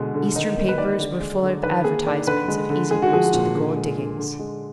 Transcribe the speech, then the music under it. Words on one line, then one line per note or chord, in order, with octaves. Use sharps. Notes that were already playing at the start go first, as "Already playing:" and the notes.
Eastern papers were full of advertisements of easy routes to the gold-diggings.
Already playing: B2 D3 G#3
D3
D#3 D#4
A#3
B4
D#3 D5
D3
G#3
D3
D#3 B4
A#3 G#4
D#3 D5
D3 B4
G#3
D3
G#3 G#4
F#4
F3 G#4
A#2
D3
G#3
D3
D3
G#3